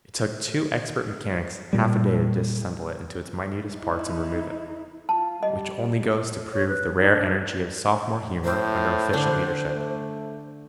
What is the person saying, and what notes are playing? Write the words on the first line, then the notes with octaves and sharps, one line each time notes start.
It took two expert mechanics half a day to dissemble it into its minutest parts and remove it, which only goes to prove the rare energy of sophomore humor under efficient leadership.
A#2 G3
D#4 E4
F4 A5
G3 D#5
C#5
B4
D#4
D4
A2 C5
D3 D4
A3